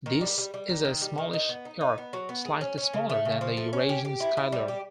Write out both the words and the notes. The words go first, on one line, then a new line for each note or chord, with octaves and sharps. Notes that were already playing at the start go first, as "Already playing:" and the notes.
This is a smallish lark, slightly smaller than the Eurasian skylark.
D#3
G3
G3
G3
D#3
D#3
G3
D#3
D#4
B3
D#4
D#4
B3
F#3
B3
G#4
C#4
C#4
C#3
A3
C#3
F3
A3
C#4
G4
G4
E4
E4
G3
G4